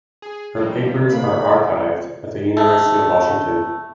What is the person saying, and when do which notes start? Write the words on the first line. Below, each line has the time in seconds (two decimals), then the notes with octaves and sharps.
Her papers are archived at the University of Washington.
0.22 G#4
0.57 F3 G3 A#3
1.10 C#3 A#3 B5
1.50 G3
2.57 A3